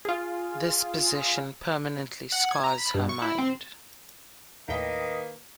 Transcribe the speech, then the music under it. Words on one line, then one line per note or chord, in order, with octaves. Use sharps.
This possession permanently scars her mind.
F4 G#4
F#5
G#6
A#5
B5
G2
C#6
E4
C4
D#2 A2 D#3 A#3 B4 D#5 G5